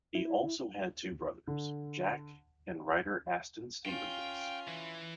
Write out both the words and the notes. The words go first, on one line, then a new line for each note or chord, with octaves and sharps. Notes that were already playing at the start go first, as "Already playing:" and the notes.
He also had two brothers, Jack and writer Aston Stevens.
E4
D3
C#4 F4 F5 G5
E3